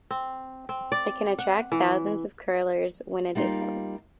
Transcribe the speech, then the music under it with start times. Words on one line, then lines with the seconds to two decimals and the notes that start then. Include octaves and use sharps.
It can attract thousands of curlers when it is held.
0.11 C4
0.69 C4
0.92 D5
1.39 F#5
1.72 E3
3.35 G3 A#3 D#4 F4